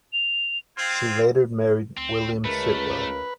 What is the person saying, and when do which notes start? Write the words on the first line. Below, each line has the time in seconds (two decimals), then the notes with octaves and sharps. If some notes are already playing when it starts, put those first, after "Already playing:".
She later married William Sitwell.
0.13 F7
0.76 C4 F4 G#6
1.97 D2 C4
2.45 C#2 A3 A#4 B4